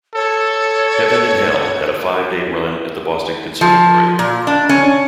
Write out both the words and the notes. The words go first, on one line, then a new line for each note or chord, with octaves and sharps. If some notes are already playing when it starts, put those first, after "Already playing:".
"Heaven and Hell" had a five-day run at the Boston Conservatory.
A4 C#5
F3
A#2
D4
C#4